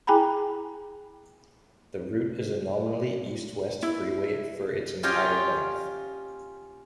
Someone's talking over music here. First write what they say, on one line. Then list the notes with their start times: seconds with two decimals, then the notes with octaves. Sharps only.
The route is a nominally east-west freeway for its entire length.
0.07 E4 G#4 G5 G#5 A#5 B5
3.83 E4
5.03 C#4 F4 G4 C#5 D#5 G5